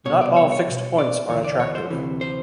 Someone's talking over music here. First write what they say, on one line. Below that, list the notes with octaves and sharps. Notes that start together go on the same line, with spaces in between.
Not all fixed points are attractive.
C2 B2 C#5
D5
C#5
C#5
C2
B2
D5
D2 C3 E3 C#5
D5
C#5
C5
D2 C3 E3
C5